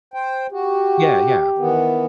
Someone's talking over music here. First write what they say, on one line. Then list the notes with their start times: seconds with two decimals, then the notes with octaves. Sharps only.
Yeah, yeah.
0.14 C5 G5
0.52 F#4 G4
1.58 D#3 E3 B3